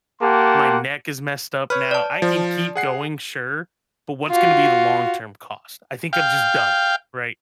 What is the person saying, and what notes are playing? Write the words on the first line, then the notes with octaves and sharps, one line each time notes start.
My neck is messed up now. I can keep going, sure, but what's gonna be the long-term cost? I think I'm just done," right?
A#3 G4 F#5 A5 C6
B4 C#5 F6
D5 A5
F3
G#4 F#5 C7
F4 F#4
F5 G5